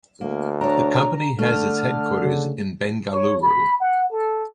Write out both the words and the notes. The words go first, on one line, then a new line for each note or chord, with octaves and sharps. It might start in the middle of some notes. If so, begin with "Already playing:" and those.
The company has its headquarters in Bengaluru.
D2 A#3
D4 C#5 A#5
D3 A3 F6
C#3
C#5
B5
F#5
A4